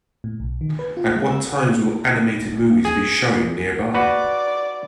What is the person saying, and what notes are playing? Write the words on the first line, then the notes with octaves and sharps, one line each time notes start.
At what times will animated movies be showing nearby?
A2
B1
D#3
B4
F4
G#3
E6
G#4
F#4 B4 D5